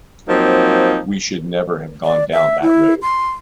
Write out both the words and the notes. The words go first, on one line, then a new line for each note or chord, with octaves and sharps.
We should never have gone down that road.
F3 F#3 A#3 C4 D#4
D5
E5
E4
C6